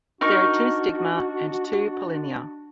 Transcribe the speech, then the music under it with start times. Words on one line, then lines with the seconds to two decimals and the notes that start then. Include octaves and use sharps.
There are two stigma and two pollinia.
0.21 D4 D#4 F#4 A#4 C#6